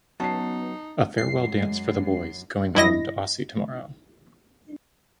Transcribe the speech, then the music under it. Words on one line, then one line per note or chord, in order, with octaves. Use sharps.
A farewell dance for the boys going home to Aussie tomorrow.
F#3 B3 C#4 D#4 A5 C7
F#2 C7
G#3
G2 E4 D#5 A#6